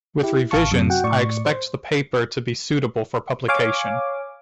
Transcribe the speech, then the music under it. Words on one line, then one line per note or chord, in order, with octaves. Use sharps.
With revisions I expect the paper to be suitable for publication.
E4 G4
A1 F5 A5 C#6
F#2 C3
F#4 F#5 G5
A2 D5 C#6
C5
C#5 F5 G#5 D6